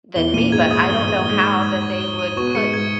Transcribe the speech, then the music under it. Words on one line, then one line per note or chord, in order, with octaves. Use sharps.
than me, but I don't know how that they would put
E2 E3 G7
A#2 A#3 D#7
G#2 G#3 G#6
G#2 G#3 D#6
G2 G3 G7
G#3 D#7
A#3
G#2 G#3 G7
D#7
G#6
C#6
G7
D#7
B2 B3 C#6
G#2 G#3 C#7
G#2 G#3 G#6